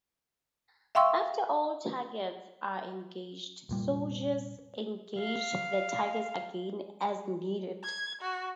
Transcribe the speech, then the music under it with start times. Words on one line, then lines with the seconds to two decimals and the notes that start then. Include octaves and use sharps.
After all targets are engaged, soldiers engage the targets again as needed.
0.95 E5 F5 G5 C6 C#6 E6
3.69 F1 A#2 G3
5.19 F5
7.84 G#6
8.21 F#4